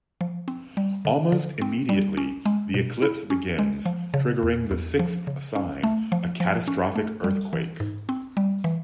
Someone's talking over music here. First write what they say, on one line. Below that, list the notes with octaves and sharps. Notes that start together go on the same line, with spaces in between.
Almost immediately, the eclipse begins, triggering the sixth sign, a catastrophic earthquake.
F3
C4
G3
D3
D3
C4
G3
C#4
G#3
B2
E4
C#4
G#3
F3
C#3
E2
E2
F3
C#3
C#4
A3
F3
F3
C#4
A3
G3
E3
G#2
C4
G3
E3